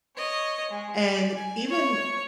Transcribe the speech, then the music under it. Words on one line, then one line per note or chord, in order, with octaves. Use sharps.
and even
C#5 D#5
G#3
D5
G#5
C#5